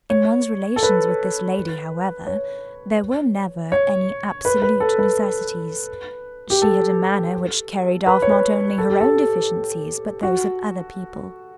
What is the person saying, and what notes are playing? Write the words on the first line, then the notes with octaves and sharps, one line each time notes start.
In one's relations with this lady, however, there were never any absolute necessities; she had a manner which carried off not only her own deficiencies but those of other people.
C#5
A4
B4
C#5
C#5
B4
B4
A4
B4
G4
A4
B4
C#5
B4
A4
G4
A4
F#4